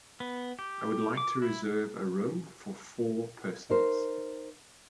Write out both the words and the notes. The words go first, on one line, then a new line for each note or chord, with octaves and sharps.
I would like to reserve a room for four persons.
B3
G4
D6
E4
D#4 A#4 C5